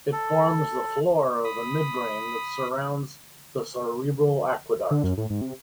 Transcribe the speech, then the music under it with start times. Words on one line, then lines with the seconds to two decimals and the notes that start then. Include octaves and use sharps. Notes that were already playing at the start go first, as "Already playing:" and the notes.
It forms the floor of the midbrain that surrounds the cerebral aqueduct.
0.13 A4
1.44 B5 D#6
4.91 D3
5.04 F#2
5.17 A2
5.30 G#2
5.41 C3